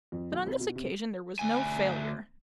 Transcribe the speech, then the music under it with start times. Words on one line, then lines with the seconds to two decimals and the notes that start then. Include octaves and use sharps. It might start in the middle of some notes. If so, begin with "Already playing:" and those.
But on this occasion there was no failure.
0.12 F2
0.32 B1
0.47 C2
0.60 B2
0.76 C3
1.39 D2 G#5